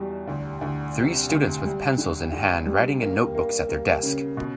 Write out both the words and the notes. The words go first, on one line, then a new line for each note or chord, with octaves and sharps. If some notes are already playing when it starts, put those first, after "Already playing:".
Three students with pencils inhand writing in notebooks at their desks.
Already playing: E2 B2 G3
D2
D2
C3
D2
G3
D3
D3
G3
A#3
A#3
A#3
C#3
B2